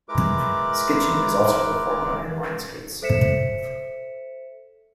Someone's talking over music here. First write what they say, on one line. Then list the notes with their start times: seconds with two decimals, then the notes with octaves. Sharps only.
Skitching is also performed on inline skates.
0.09 G#3 E4 A#4 B4 D6
3.02 A4 C5 E5 B6 C#7 E7